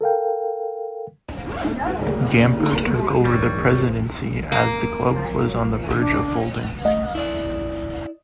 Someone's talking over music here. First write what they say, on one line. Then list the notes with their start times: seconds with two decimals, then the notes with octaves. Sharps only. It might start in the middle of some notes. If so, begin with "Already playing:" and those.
Gamper took over the presidency as the club was on the verge of folding.
0.01 A4 A#4 F5 G5
1.97 D2 C#3 G3 A#3
3.25 D1 G2 D#3 G3 C#5
4.52 A#3
5.97 D4
6.85 A3 D#5
7.15 E4 D5